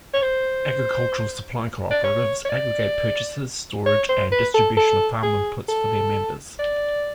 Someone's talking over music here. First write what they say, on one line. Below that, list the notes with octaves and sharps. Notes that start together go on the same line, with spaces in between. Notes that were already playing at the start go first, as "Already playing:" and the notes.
Agricultural supply cooperatives aggregate purchases, storage, and distribution of farm inputs for their members.
C#5
C5
D5
C#5
C#5
D5
C#5
C5
B4
A4
A4
G#4
A4
D5